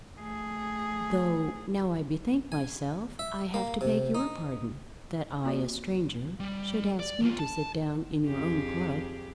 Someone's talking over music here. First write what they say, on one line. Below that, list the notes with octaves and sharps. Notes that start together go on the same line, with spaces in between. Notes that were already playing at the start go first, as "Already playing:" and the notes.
"Though now I bethink myself, I have to beg your pardon;--that I a stranger should ask you to sit down in your own club."
A3 G#4
G#5
E5
A#3
C3
D#4
A#3 C4 F4 F#4 D5
G3
D5
E2 F4
A5
F2 G4 G#4